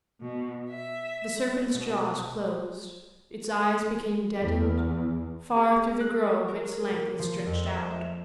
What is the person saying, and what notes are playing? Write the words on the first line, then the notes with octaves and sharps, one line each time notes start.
The serpent's jaws closed; its eyes became deadened; far through the grove its length was stretched out.
B2
E5
B2
E2
G#4
F#6
A#4
A#3
F3
F2
E5
E5